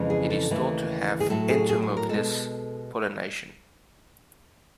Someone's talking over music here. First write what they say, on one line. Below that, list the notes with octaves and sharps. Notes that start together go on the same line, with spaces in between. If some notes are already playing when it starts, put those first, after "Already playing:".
It is thought to have had entomophilous pollination.
Already playing: F2 C#3 E3 G#3
G#4
A4
D#2 C#3 E3 A3
G#4
A2 F#3 A3 A4
G#4
G#4
G#4
A#4
B2 G#3 A4